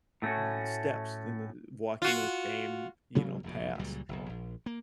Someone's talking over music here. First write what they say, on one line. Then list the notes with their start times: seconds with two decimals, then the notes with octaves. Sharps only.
b steps, in the walking those same, you know, paths
0.22 A2 A3 C#4 F#4
2.02 F4 F#4
3.15 D2 C3 F#3 A#3
3.43 F1 A#1 F#2 B2
3.79 C#2 A#2 F#3 G3
4.09 F#1 B1
4.29 A#1
4.66 A#3